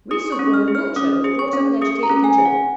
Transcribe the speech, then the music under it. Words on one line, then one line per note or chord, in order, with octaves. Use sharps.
Rees was born in Wiltshire and was brought up and educated in Chippenham.
G#4 D#6
C#6
C#4
F6
G#4
F6
C#4 D#6
G#4
C#6
C#4
G#4 D#6
A#5
C#4
G#5
G#4
F#5